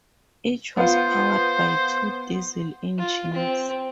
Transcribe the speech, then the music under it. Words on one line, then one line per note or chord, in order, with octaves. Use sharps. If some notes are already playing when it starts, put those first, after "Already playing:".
Each was powered by two diesel engines.
B3 F4 C5
F4
C4